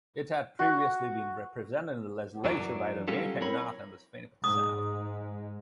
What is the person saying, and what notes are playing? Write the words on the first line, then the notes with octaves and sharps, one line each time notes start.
It had previously been represented in the legislature by Winnipeg North and Winnipeg South.
F#4
F#2 E3 F#3 D4
F#3 G3 C#4 F4 G4 A4
C4 E4 A#4 C#5 B5
G#2 G#3 D#6